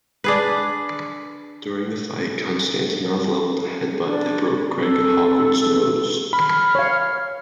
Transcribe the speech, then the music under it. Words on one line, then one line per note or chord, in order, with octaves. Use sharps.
During the fight Konstantinov leveled a head-butt that broke Greg Hawgood's nose.
D4 G#4 B4
D4
C4 A4
A4
B5 F6
C#5 F5